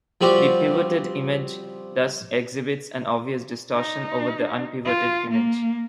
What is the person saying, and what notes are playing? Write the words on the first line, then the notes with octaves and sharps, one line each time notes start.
The pivoted image thus exhibits an obvious distortion over the unpivoted image.
F3 G3 C4 F#4 G4
D#4
F4
A#3